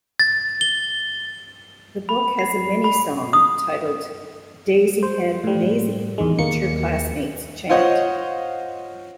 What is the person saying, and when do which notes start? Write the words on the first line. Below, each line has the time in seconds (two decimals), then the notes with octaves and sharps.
The book has a mini-song titled "Daisy-Head Mayzie" which her classmates chant.
0.20 A6
0.61 G7
2.09 B5
2.39 C7
2.84 B5
3.33 D#6
5.03 C5
5.44 A2 G3
6.18 E2 D#3 G#3
6.39 D#2 A#3 C#7
7.69 F4 C5 C#5 D#5 F#5